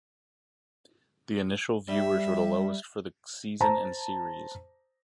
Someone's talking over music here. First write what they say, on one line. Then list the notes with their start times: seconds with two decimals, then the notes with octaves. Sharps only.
The initial viewers were the lowest for the season and series.
1.88 G3 E5
3.61 C5 A5 A#5